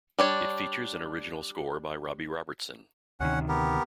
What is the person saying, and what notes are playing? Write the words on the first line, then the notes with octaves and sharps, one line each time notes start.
It features an original score by Robbie Robertson.
G3 D4 C#5
D2 C3 D#3 C#4 F#5
B3 G4 A#4